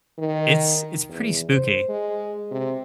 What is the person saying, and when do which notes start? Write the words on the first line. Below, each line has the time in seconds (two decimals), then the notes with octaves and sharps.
It's it's pretty spooky.
0.18 D#3
1.09 E2
1.51 C5
1.89 G#3
2.51 C3